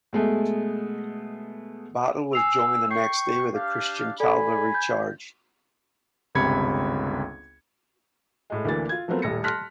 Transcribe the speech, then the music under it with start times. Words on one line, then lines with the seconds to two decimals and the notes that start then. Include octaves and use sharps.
Battle was joined the next day with a Christian cavalry charge.
0.13 B2 G#3 A3
2.33 G#5 E6 C7 F7
2.91 G5 C#6 C7
3.55 D4 G4 F5
4.20 A4 D5 G#5 B5
4.74 G6
6.35 G1 C#2 C3 B5 G#6 C#7
8.50 A2 G#3
8.65 D2 E3 A#3 D4 E4 A6
8.89 F4 G#6
9.08 F3 F#3 A3 B3 C4 A#4
9.22 D#1 A2 A#6 C#7
9.44 A5 C6 F6 F#6 A#6 B6